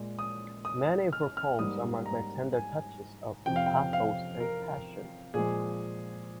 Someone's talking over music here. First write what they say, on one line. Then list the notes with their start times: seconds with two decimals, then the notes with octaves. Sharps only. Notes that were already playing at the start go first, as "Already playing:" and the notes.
Many of her poems are marked by tender touches of pathos and passion.
Already playing: A#2 G#3
0.19 D#6
0.65 D#6
1.13 F6
1.37 F6
1.59 G#2 G3 A#3 D#6
2.06 A#5
2.53 G#5
3.46 F2 C3 F3 G5
3.56 F5
3.66 G5
3.93 F5
4.40 A#4
5.34 A#2 F3 G#3 G#4